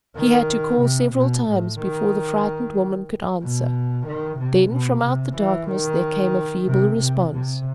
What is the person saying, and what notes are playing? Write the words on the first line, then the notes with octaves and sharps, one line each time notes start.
He had to call several times before the frightened woman could answer. Then from out the darkness there came a feeble response.
D#3
C3
B2
A2
D#3
B2
D#3
C3
B2
C3
E3
D#3
C3
C3
C3